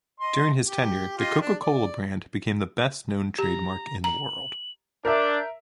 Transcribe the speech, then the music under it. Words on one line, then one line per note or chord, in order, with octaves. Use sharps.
During his tenure, the Coca-Cola brand became the best-known trademark in the world.
D#5 C6
G4
F4 G4 D#5
D4
D5
G4 A#5
A#5 F#7
D4 A#4 E5 G6